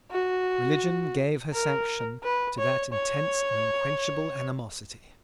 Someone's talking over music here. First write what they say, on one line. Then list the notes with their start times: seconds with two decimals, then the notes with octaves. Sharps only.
Religion gave her sanction to that intense and unquenchable animosity.
0.11 F#4
1.53 A#4
2.23 B4
2.58 C#5
2.93 C#5